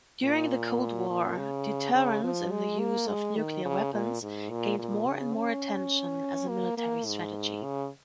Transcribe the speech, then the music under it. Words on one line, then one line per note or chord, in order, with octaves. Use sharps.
During the Cold War, deterrence in the use of nuclear weapons gained more and more attention as a military strategy.
A#2
A#2
C#3
C#3
F3
G#3
A#3
G#3
D#3
C#3
A#2
G#2
A#2
A#2
C#3
C#4
A#3
A#3
G#2
C#3